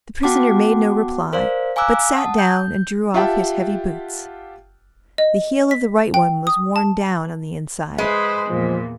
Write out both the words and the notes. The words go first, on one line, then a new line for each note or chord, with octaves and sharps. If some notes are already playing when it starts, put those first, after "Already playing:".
The prisoner made no reply, but sat down and drew off his heavy boots. The heel of the right one was worn down on the inside.
B3 F#4 F#5 G5 A5 D6
A#4 C5 D5 F5
F5 G#5 A#5 D6 E6 F#6
F#5 A5 D#6
G6
F4 G4 E5 F#5 G5 A5
D#5
B6
G5
D#6
A5
G#3 B4 C5
E2 A#2 F3